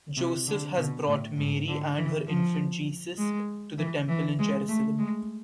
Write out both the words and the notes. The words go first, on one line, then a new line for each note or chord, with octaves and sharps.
Joseph has brought Mary and her infant Jesus to the temple in Jerusalem.
C3
D3
B2
A2
G#2
D3
E3
F3
G#3
E3
E3
G#3
A3
G#3